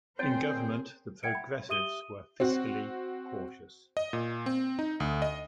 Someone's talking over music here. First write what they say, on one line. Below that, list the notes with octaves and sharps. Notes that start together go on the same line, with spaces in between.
In government, the Progressives were fiscally cautious.
C4 G#4 A#4 C5 C#5 G5 A6
E5 F#5 G5 G#6 C#7 D7
B5
G4 E5 D#6 D#7 G7
C4 F#4
D#5
A#2
C4
D#4
D2
D#5